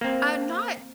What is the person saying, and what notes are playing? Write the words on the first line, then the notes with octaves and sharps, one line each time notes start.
I'm not
A#3 C4